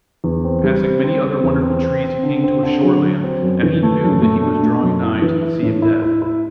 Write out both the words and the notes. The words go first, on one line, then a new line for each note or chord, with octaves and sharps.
Passing many other wonderful trees, he came to a shoreland, and he knew that he was drawing nigh to the Sea of Death.
E2
C4
G3
C4
C4
C4
E2
C4
C4
C4
D3
C4
D3
F#3
F#3
C4
F#2
E3
A3
F#2
A3
D4
A3
F#2
E4
E3
E4
A2
E4
E4
E4